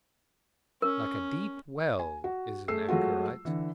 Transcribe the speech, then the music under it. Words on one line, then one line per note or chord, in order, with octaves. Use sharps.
Like a deep well is an anchorite.
C#4 A#4
G#5
F#4
A3 G#4 E6 C7
F#3 G#3 A3 F4 F#4
D3 E3